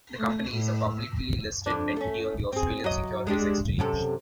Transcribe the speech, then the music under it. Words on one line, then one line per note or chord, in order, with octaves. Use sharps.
The company is a publicly listed entity on the Australian Securities Exchange.
A3
A2
F2 D4
A3 C#4
C4 G#4
F#3 D#5
G#3 D4 G4
F#2 C3 A4